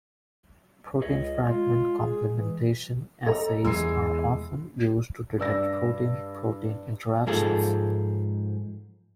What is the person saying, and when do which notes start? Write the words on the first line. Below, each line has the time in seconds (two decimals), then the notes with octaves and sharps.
Protein fragment complementation assays are often used to detect protein-protein interactions.
1.01 C#2 G#4 C#5 D#5
1.49 G#3 F4
1.99 G#4
2.32 E3
3.26 A4 D#5 A#5
3.65 E2 G#3 E6 C7
5.38 G2 D5 E6 A#6
7.27 G#2 F3 G#4 A4